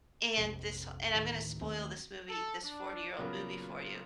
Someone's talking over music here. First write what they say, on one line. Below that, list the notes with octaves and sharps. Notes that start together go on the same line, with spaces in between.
And this h and I'm gonna spoil this movie, this forty-year-old movie for you.
A#1 F2 C3
D2 A2 D#3
D#2 D#3 A3 C4
A4
D4
A#2 C#3 F#3 A#3 B3